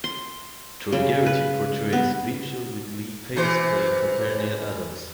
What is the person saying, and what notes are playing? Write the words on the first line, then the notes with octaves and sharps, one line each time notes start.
Troy Garity portrays Winchell with Lee Pace playing Calpernia Addams.
C6
C#3
B4
B3
C3 E3 C5